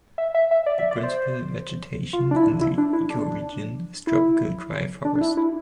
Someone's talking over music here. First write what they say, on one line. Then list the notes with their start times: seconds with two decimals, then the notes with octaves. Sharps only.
The principal vegetation in the ecoregion is tropical dry forest.
0.18 E5
0.35 E5
0.51 E5
0.66 D5
0.79 E5
0.91 D5
1.03 C5
2.13 F4
2.31 D4
2.36 E4
2.61 E4
2.78 D4
2.93 E4
3.10 D4
4.07 E4
5.05 D4
5.15 D4
5.21 E4
5.37 E4